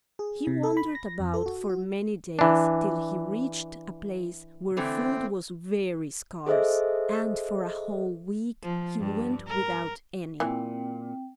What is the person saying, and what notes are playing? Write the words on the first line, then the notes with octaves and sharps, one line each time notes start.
He wandered about for many days, till he reached a place where food was very scarce, and for a whole week he went without any.
G#4
C3
A4
B5
A#6
F2
A4
F#4
F#4
E3 D4
D3 E3 A3 C4
G#4 A4 C5 D#5 E5
F3
G2
A#4
A#2 E3 C4 G5